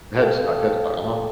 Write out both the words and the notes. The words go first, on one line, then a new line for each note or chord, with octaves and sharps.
Headstock Headstock, uh-huh.
G4 A4 F5 G5 A5